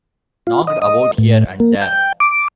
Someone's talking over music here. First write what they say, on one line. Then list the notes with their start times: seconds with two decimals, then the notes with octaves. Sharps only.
Knocked about here and there.
0.47 F4
0.67 D#5
0.82 D#5
1.18 A2
1.60 A#3
1.82 G5
2.20 D6